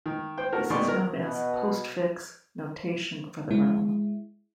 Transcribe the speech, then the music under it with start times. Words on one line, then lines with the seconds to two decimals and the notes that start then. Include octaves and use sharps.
This is known as "postfix" notation for the realm.
0.06 D#3
0.38 C5 G5
0.53 F#4 A4 A#4
0.70 B2 D#3 G#4 D5 C6 C#6
0.88 A#4
1.22 B2
3.51 G#3 E4